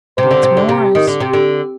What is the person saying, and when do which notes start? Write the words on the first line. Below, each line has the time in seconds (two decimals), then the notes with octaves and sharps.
That's Morris.
0.18 C3 C5
0.31 D3
0.43 C3
0.57 D3
0.69 C3
0.95 D#3
1.07 D3
1.20 C3
1.33 D3